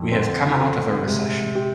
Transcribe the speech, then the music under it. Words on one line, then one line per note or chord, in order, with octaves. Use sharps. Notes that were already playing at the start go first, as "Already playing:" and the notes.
We have come out of a recession.
Already playing: F2
D3 C4
D3 C4
C3 G#3
G4